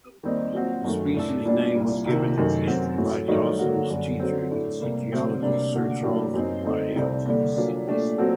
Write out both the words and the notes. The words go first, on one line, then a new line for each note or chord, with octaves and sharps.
The species' name was given it by Dawson's teacher, the geologist Sir Charles Lyell.
D#2 D#3 G3 C4 D#4
A#2 F#3 C4 F#4
F#2 D#3 A3
A2 A3 D4 A4
A#2 G3 D4
C2 A#2 G3
C2 C3 D#3
F#2 D#3 A3 D#4 G4
F#2 F#3 C4 F#4
A2 F#3 A3
G2 D#3 F#3 A3 D#4
D3 F#3 A#3 F#4
F#2 D3 G3
D3 F#3 C4
A2 A3 D4
C3 G3 A#3
D3 F#3 A3 C4
C3 G3 A#3 D4
D#2 D3 A3 D4 F#4
A2 F#3 A#3 D4 G4
F#2 F#3 C4 D#4
D3 A3 C4 D#4
C2 C3 G3 C4
D#2 D3 G3
A#2 F#3 A#3 D4
A#2 A3 D4 G4
A#2 F#3 C4 F#4 A4